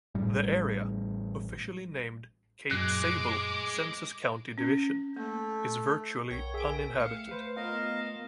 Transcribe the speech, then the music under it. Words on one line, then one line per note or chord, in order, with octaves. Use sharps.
The area, officially named Cape Sable Census County Division, is virtually uninhabited.
A1 A2 G3
F#2 A#2 F#3 G#3 D6 F#6
C#4
A3 A#3
B1 A#4 C#5 G5
G#4 E5 D7
A3 F5 C#7
B4 C5
B3 F4 A#4 D#5 F5